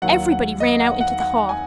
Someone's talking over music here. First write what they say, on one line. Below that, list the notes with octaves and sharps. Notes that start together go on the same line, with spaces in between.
Everybody ran out into the hall.
D#2 D#3 F#3 F#5
F#5
D#5
F#5
F#5
F#5
G#5